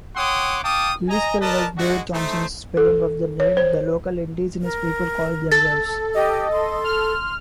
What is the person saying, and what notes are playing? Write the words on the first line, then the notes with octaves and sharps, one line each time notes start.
Kullyspel was David Thompson's spelling of the name the local indigenous people called themselves.
C#5 F#5 G5 C6 D6 D#6
F5 G5 A5 D6 D#6
D#5 G#5 A#5
A#4 B4 D5 D#5 A5
G#3 A3 D4 F#4
A3 D#4 C5
A4
C#5
C5
A#4
A4 A6
G4 D#5
C6
F6